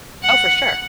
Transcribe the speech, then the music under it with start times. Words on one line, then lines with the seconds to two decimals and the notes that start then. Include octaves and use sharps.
Oh, for sure.
0.24 F#5